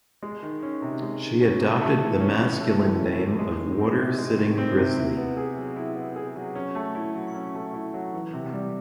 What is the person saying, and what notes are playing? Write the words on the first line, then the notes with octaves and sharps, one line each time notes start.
She adopted the masculine name of Water Sitting Grizzly.
G#3
D#3
C#4
C3
G#3
D#3
C#4
C3
A3
E3
C#4
A2
A3
E3
C#4
A2
G#3
D#3
C4
C3
G#3
D#3
C4
C3
E4
B3
G#4
F#3
E4
B3
G#4
F#3
C#4
A3
E4
F#3
C#4
A3
E4
F#3
E3
C3
G3